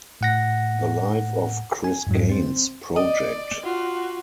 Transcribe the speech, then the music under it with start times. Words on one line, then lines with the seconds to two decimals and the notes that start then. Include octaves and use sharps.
The Life of Chris Gaines project.
0.21 A2 F#5 A#6
1.84 G#5
2.07 F2 G#2 F#3
2.30 C4 C5
2.96 D5 D#5
3.64 F4 F#4